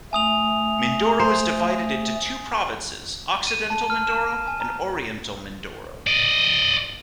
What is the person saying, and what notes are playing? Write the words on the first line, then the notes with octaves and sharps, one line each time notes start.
Mindoro is divided into two provinces Occidental Mindoro and Oriental Mindoro.
A3 G#5 D#6 F7
C5
D#7
A5
F6
E7
G#5
A#5
D5 D#5